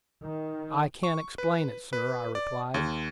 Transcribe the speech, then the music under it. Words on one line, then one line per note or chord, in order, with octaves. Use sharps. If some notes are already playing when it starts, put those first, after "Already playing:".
"I can't explain it, sir," I replied.
D#3
C#6
B4
B4
D5
D#2